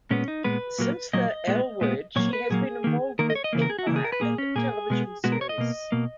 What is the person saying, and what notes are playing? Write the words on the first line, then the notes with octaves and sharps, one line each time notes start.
Since the "L Word," she has been involved with "Empire," a hit television series.
A#2 G#3 B3 C#4
D#4
A#2 G#3 B3 B4
A#2 F#3 A#3
A#2 F#3 A#3 D#5
A#2 G#3 B3
A#2 G#3 B3
A#2 F#3 A#3 C#5
B4
A#2 F#3 A#3 G#4
D#3 A#3
D#3 A#3 A#4
D#5
C#5
D#5
C#3 E3 A#3
A#4
G#4
F#4
C#3 E3 A#3 E4
G#4
A#4
B4
A#2 A#3 G#4
C#4
A#2 A#3 G#4
B2 G#3 B3
B2 G#3 B3 F#4
A#4
C#5
D#5
B2 A#3
B2 A#3